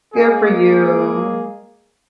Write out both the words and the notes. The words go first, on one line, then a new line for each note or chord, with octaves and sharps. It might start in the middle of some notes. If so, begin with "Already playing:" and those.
Good for you.
G#3 A#3 G#4